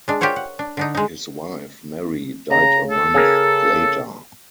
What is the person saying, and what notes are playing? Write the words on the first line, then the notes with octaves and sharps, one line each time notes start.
His wife, Mary, died a month later.
G#3 D4
F4 G4 A#4 C5 C#5 F#5
F#5
D4
D3 D4 D#4
G#3 D#4
C#3 A#5
A4
C#3 G#4 A#4